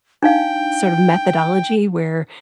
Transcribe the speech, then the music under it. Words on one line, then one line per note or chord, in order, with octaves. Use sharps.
sort of methodology where
D4 D#4 F5 G5